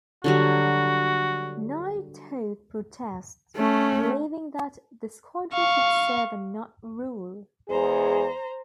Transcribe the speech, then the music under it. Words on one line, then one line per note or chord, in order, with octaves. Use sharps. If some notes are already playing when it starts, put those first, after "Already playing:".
Nighthawk protests, believing that the Squadron should serve and not rule.
D3 F#3 G3 F#4
A3 C#4
F5 C#6
E2 G#3 G#4 C5 A#5